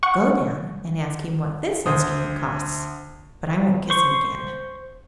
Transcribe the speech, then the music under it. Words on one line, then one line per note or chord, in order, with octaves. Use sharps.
Go down and ask him what this instrument costs; but I won't kiss him again.'
F#5 C#6
D2 C5 D#6
C5 C#6